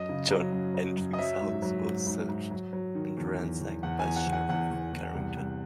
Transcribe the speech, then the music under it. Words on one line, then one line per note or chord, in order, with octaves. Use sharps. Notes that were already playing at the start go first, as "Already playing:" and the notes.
John Entick's house was searched and ransacked by Sherriff Carrington.
Already playing: F#2 D#5
C#3
F#3
F#2
F#3
F#2
D#5
F#3 E5
G#2
F#3
G#2
G#2
G#2
F#3
F#3
D#3
E2
E2
E2
E2 F#5
G#5
E2
F#5
E2
F#5
E2 F#5
E2
E2
C2
C2